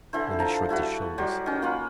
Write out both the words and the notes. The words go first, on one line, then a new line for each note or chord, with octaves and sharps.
Then he shrugged his shoulders.
D3 E3 E4 C5
F3 A5 A#5
G3 E4 F#4 B4
F#3 G3 C5 D5
D#3 C#4
A#3 F4 B4 F#5